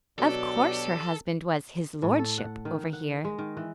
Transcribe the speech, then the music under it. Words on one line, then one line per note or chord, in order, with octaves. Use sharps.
Of course her husband was "his lordship," over here.
B2 F#3 D4 G4 A4 D5
A2
A4
F#5
D#3
F#5
G#3
D#3
E3